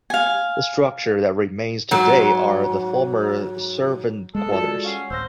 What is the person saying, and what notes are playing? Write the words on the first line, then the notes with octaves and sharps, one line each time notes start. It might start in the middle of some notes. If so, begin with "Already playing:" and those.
The structure that remains today are the former servant quarters.
F5 G#5
G#2 F#3
G#3 A4
F4 F#4 A4 D5
C#4 F5 F#5 C7
D1 C5 E6 G6 A#6